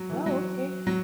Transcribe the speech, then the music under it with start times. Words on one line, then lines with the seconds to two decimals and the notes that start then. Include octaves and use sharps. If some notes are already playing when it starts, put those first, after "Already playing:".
Oh, okay.
Already playing: F#3
0.10 E3
0.26 F#3
0.87 F#3